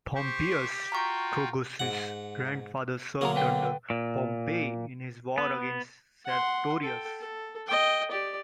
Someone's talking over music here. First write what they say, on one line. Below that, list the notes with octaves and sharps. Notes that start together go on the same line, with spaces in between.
Pompeius Trogus's grandfather served under Pompey in his war against Sertorius.
G4 C5 C#6
F4 F#4 G5 A#5 C#6
G#2 F#5
D3 F#3 A#3 G#4 A#5
B4 G5
A#2
B3
F#5 C6
A4 G5
A4
D#5 G5
G4 D5